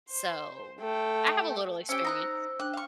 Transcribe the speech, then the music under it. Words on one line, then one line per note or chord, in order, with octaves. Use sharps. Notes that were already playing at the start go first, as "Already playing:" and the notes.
So I have a little experience.
C5
A3 G5
C#4 G4 C5 E6
D#4 A#5 F#6
D4 G5 D6 F#6
F5 C#6